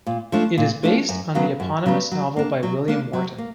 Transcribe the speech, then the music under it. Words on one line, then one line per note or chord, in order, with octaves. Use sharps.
It is based on the eponymous novel by William Wharton.
A#2
F3 A3 D4
A#2
F3 A3 D4
F#2
C#3 F#3 B3
F#2
C#3 F#3 B3
F#3
A#3 D4
F#3
A#3 D4
F#3
A#3